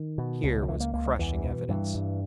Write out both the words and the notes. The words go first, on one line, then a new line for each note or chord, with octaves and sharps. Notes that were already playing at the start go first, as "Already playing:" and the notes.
Here was crushing evidence.
Already playing: D#3
B2
C#2
D#3
C#2 E3
A#3
C#2 A#3
G#3
E2 E3
B2
G2 E3
G2